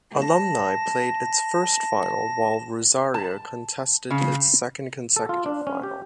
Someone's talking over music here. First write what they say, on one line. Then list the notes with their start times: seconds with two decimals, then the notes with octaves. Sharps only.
Alumni played its first final while Rosario contested its second consecutive final.
0.21 A5 A#6
3.14 A5
4.10 C#3
5.16 A4
5.29 F4
5.46 D4
5.67 C#4
5.83 G4